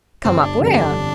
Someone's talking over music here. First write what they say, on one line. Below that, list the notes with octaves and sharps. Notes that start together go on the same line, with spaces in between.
"Come up where?"
G1 C4
D4
F2 D3 G3
D4